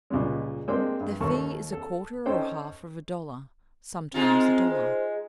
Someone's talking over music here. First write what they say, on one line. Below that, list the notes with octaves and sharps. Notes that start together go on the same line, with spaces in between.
Their fee is a quarter or half of a dollar. Sometimes a dollar.
C#2 A#2 G3 G#3
G#3 A#3 C4 D4 G4 G5
G2
D#2 A4 A#4 C#6
A4
C#4 D#4 A4 C5 G5
G#3 C4 D#4 F4
C5